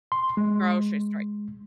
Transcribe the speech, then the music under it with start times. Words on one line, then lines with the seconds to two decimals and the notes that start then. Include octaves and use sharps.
grocery store
0.12 C6
0.37 G#3